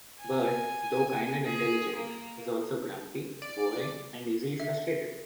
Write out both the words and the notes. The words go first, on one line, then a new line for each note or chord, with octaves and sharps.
Bert, though kind and intelligent, is also grumpy, boring, and easily frustrated.
G#5
G#4
A#3
D5
E5